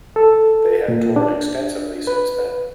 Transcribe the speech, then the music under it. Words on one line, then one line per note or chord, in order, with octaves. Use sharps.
They have toured extensively since then.
A4
A#2
D4
B4